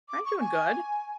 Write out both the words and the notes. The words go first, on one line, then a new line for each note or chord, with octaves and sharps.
I'm doing good.
D6
C#6
G#5